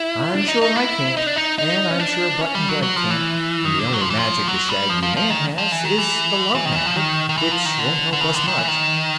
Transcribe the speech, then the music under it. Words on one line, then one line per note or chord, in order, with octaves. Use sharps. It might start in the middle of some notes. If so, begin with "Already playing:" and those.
"I'm sure I can't; and I'm sure Button-Bright can't; and the only magic the shaggy man has is the Love Magnet, which won't help us much."
Already playing: E4
D4
D#4
D#4
E4
D#4
D4
D#4
D#4
C#4
D4
C#4
G3
F#3
F#3
F3
E3
D#3
D3
F#3
F3
E3
F3
F#3
G3
F3
F3
F3
D#3
F3
E3
D#3
E3
E3
D#3
E3
F3
D#3
D#3
E3
F3
D#3
D3
D3
C#3
D3
D#3
E3
D#3